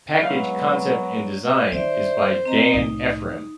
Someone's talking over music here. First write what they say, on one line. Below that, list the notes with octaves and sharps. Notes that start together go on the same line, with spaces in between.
Package concept and design is by Dan Efram.
F#3 G#3 B3 E4 F5
D#3 C5 D5 E5
C4 D#5 A#5
C2 A2 D#4